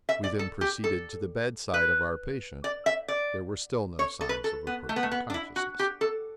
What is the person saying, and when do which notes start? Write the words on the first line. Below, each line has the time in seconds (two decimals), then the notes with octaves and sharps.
We then proceeded to the bedside of our patient; there were still no signs of approaching consciousness.
0.09 E5
0.24 D5
0.39 A4
0.61 G4
0.84 A4
1.74 B4
2.64 D5
2.86 E5
3.08 D5
3.99 C#5
4.21 A4
4.29 B4
4.44 A4
4.67 B3
4.89 A3
4.96 B3
5.03 A3
5.11 B3
5.30 D4
5.34 E4
5.56 F#4
5.79 G4
6.01 A4